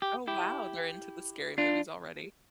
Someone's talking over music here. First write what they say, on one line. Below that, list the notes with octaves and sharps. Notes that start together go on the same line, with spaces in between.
Oh, wow, they're into the scary movies already?
G4
E4 G4
D4 F4